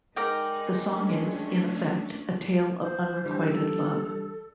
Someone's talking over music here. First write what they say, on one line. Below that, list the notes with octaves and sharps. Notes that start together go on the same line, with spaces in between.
The song is, in effect, a tale of unrequited love.
G#3 D#4 A#4 D5 G5
A3 C#4 D4
C5
D3 E3 G3
A4